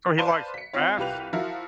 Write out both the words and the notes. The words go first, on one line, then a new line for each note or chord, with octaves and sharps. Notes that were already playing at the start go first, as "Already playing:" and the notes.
So, he likes baths?
B4 C5 D5 F5 A5 C6
B6 C#7
C4 F4 C#5
C2 F4 G4 B4 F#6 F7
F3 E4 F#4 A#4 F5